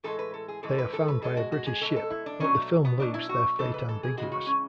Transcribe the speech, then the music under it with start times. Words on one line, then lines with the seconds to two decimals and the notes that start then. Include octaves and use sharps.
They are found by a British ship, but the film leaves their fate ambiguous.
0.04 A2 E3 G#3 A4
0.19 B4
0.34 A4
0.48 G#4
0.63 A2 E3 G#3 A4
0.78 B4
0.93 A4
1.08 B4
1.22 B2 G#3 A4
1.37 F#4
1.52 F#4
1.67 G#4
1.81 B2 G#3 A4
1.96 A4
2.10 E4
2.26 D4
2.40 B2 F#3 C#4
2.55 A3
2.85 B3
2.99 B2 F#3 D4
3.14 E4
3.29 F#4
3.59 C#3 E3 G#3 A4
3.74 B4
3.89 A4
4.03 G#4
4.17 C#3 E3 G#3 F#4
4.32 F#4
4.46 C#4